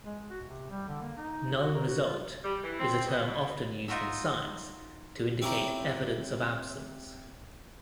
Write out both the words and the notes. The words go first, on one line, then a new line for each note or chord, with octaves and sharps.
"Null result" is a term often used in science to indicate "evidence of absence".
G#3
F#4
C3
G3
D3
A#3
D#4
F#4
A#4
F#4
F4
G3
E3
C4
B2
D#4 F4 F#4 A#4 E5
C4 C#4 E4 G4 A#4